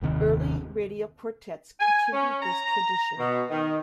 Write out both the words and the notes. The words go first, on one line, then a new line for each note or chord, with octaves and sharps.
Early radio quartets continued this tradition.
F#1 D#2 C3 D#3
G#5
C#4
A#5
B2
D#3